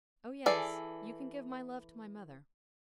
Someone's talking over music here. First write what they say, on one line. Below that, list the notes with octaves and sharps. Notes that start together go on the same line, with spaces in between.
Oh yes;--you can give my love to my mother.
E3 G#4 A4 D5